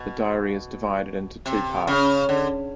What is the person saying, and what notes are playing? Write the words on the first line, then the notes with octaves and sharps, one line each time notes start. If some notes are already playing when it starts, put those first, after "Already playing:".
The diary is divided into two parts.
Already playing: B2
C3
C#3
D3